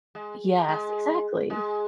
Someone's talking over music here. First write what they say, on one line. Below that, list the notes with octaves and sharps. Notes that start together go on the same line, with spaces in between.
Yes, exactly.
G#3
G#3
G#3